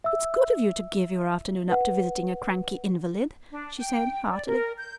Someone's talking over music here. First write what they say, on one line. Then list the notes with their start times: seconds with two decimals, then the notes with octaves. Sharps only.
"It's good of you to give your afternoon up to visiting a cranky invalid," she said heartily.
0.04 E5 E6
1.69 B4 F#5
3.52 D4
3.79 G5
4.31 D5
4.47 A#4
4.78 G6